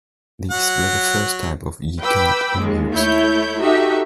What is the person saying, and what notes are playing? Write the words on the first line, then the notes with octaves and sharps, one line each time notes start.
These were the first type of E-card in use.
F#3 F#5
B4 G5 B5 D6 E6
D#2 G#3
A3 E4 C#5 G6
D#4 F#4 G4 A4 E5